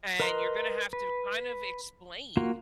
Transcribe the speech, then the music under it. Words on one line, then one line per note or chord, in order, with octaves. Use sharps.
and you're gonna have to kind of explain
A#4 B4 D#5 A#5 C6
B4
A#3 F4 F#4